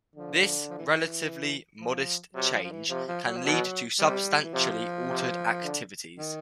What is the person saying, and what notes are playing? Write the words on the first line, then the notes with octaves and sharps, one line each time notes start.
This relatively modest change can lead to substantially altered activities.
D3 F3
F3
E3
D#3
E3
F3
C3 F#3
F3
F3
E3
C3 F3
F3
F#3
F3
B2 F#3
C3 G3
E3
C3 F3
C3
D3
D#3